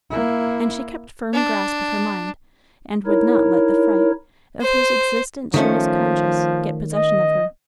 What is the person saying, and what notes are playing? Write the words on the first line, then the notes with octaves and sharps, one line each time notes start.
And she kept firm grasp of her mind, and would not let the fright, of whose existence she was conscious, get possession of her.
A#3 E4
D4
D#4 E4 A#4 C#5
C5
D#3 F3 A3 C#4
D#5